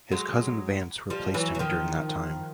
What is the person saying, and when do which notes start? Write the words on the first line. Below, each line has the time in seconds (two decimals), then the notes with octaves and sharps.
His cousin Vance replaced him during that time.
0.12 F#3 G#3
1.10 F3 G3
1.34 E3 F#3
1.55 F#3
1.59 D#3 F3